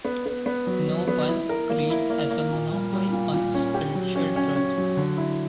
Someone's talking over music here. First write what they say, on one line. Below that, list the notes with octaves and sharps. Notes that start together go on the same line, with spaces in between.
No one creed has a monopoly on spiritual truth.
B3
B3
B3
F#3
F#3
B3
E4
A#4
A#3
E4
A#3
A#3
A#2
G3
G3
A#2
A#2
C#4
G4
F#3
C#4
C#4
C#4
F#3
D3
E4